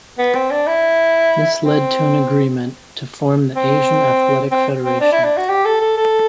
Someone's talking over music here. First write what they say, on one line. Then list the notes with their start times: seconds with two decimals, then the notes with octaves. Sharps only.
This led to an agreement to form the Asian Athletic Federation.
0.18 B3
0.35 C4
0.51 D4
0.67 E4
1.63 C4
3.56 C4
4.52 C4
4.85 C4
5.01 D4
5.12 E4
5.24 D4
5.37 F#4
5.49 G4
5.65 A4
5.81 A4
5.98 A4